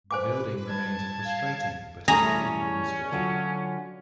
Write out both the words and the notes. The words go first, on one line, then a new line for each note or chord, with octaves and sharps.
The building remains a frustrating, but intriguing, mystery.
B4 C5 G#5 D6
G3 A5 G#6
F5
E3 G3 A3 C#4 G#4 A#5
D3 F#3 F4